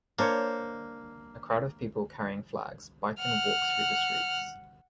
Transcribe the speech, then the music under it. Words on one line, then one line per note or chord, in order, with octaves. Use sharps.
A crowd of people carrying flags bike and walk through the streets.
A#3 D4 C5 C#5
F#5 F6